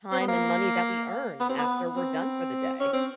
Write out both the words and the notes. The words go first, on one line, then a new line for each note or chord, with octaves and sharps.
time and money that we earn after we're done for the day.
C4
B3
A#3
B3
C4
B3
C4
C#4
C4